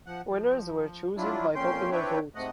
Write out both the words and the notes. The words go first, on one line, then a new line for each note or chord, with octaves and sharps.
Winners were chosen by popular vote.
F3 F#5
F3
F#3 D4 E4 F4
F2 A#2 C#4 G5 C6
C4 D4 E4 B4 C#5 G5
G#2 C3 A3 D#5 F#5